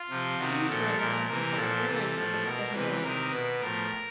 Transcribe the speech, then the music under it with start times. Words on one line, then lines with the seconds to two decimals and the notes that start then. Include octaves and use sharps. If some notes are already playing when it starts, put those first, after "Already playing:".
Teams were allowed to buy airline tickets to Hanoi.
Already playing: F4
0.10 C3 F3
0.39 C3 D#3 F#4
0.68 A#2 F3 A4
0.98 A#2 F3 A#4
1.27 C3 E3 A#4
1.56 A#2 F3 A4
1.85 C3 E3
2.14 A2 F3
2.44 B2 A#4
2.73 C3 E3 B4
3.02 C3 D#3 A#4
3.32 B2 B4
3.61 A2 F3 A#4